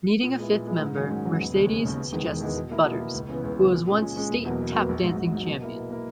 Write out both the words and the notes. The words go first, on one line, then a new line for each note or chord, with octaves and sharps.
Needing a fifth member, Mercedes suggests Butters, who was once state tap-dancing champion.
A#2
G#3 B3 E4
A#2
G#3 B3 E4
G#2
D#3 F#3 C#4
G#2
D#3 F#3 C#4
E1
D#2 C#3 G#3
E1
D#2 C#3 G#3
E1
E2 D#3 G#3
E1
E2 D#3 G#3
B2
A#3 E4
B2
A#3 E4
C#2
C#3 E3 B3
C#2
C#3 E3 B3
A#2
G#3 C#4
A#2
G#3 C#4
E1
E2 B2 F#3 A#3
E1
E2 B2 F#3 A#3
A#1
G#2 F#3
A#1
G#2 F#3
B2
A#3 E4
B2
A#3 E4